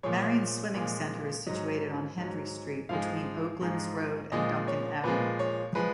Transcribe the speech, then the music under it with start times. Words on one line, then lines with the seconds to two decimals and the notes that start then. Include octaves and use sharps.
Marion Swimming Centre is situated on Hendrie Street between Oaklands Road and Duncan Avenue.
0.03 A#2 F3 G#3 C#5
0.75 A#2 F3 G#3
1.46 G#2 F#3 D#5
2.18 G#2 F#3
2.89 G#2 F3 G#3 F5
3.61 G#2 F3 G#3
4.32 A#2 F3 G#3 D#5
4.68 C#5
5.04 A#2 F3 G#3 B4
5.39 C#5
5.75 F3 G#3 B4